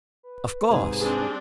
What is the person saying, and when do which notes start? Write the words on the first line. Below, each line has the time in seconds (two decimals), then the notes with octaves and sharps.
"Of course."
0.23 B4
0.70 G#2 C3 G#4
1.01 G3 C4 D4 G#4